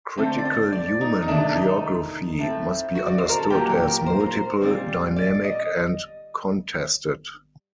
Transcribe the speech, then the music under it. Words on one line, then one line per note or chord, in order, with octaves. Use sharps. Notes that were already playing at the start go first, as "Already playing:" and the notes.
Critical human geography must be understood as multiple, dynamic, and contested.
D3 A3 C4 C5
D5
C5
D5
D#4
D#4
C3 D#3 A3 D4
D#4
A2 A3 C4
F#4
D5
C5
A#4
A4
A#2 F#3 A#3 G4
G4
A#4
C5
A#4
C5
A#2 G3 C4
D5
D#5